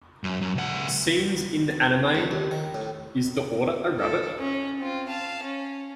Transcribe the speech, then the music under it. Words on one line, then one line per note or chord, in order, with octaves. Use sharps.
Scenes in the anime Is the Order a Rabbit?
F#2
F#2
C#2 F#5
C#2
D#2
D#3
A2
A4
C#4
C4 F4
F5 A5
C#4